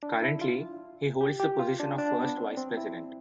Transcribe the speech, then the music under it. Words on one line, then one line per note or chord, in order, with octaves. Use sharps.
Currently, he holds the position of First Vice-President.
D4
E4
F4
G4
G4
F4
D4
D4
B3
C4
C4
E4